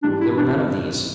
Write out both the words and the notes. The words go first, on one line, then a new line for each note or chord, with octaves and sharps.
There were none of these.
G#2 E3 G3 D4
E4
D4